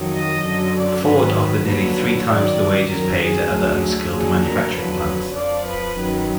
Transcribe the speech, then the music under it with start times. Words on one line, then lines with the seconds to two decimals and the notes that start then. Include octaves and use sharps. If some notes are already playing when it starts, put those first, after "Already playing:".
Ford offered nearly three times the wages paid at other unskilled manufacturing plants.
Already playing: F2 D#3 F#3
0.14 D#5
0.44 F#2 D3 F#3
0.75 D5
1.05 G#2 D#3 F#3 B4
1.37 B4
1.67 D#2 D3 F#3 B4
2.28 F#2 D#3 F#3 D5
2.89 F#2 D#3 F#3 A#4
3.20 G#4
3.50 D2 D3 F#3
4.12 D#2 D3 F#3 G#4
4.43 A#4
4.73 F2 D3 F#3 B4
5.35 F2 F3 D5
5.65 B4
5.96 F#2 D#3 F#3